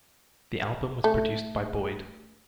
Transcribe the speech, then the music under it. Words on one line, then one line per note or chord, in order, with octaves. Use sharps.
The album was produced by Boyd.
A3